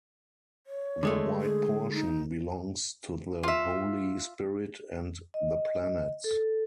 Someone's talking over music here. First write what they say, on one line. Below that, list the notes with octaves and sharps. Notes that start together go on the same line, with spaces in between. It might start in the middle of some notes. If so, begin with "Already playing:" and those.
The white portion belongs to the Holy Spirit and the planets.
C#5
D3 G#3 A3
G#4
D#4
F4 E5
D#5
A4